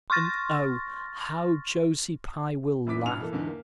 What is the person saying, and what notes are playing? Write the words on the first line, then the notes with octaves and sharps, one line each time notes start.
And oh, how Josie Pye will laugh!
C6 C#6 F6 A6 A#6
F#2 E3 B3 D6 B6
A1 G2 B2 F6 F7
E3 A#3 A4
E2 G#2 D3 E3
A#3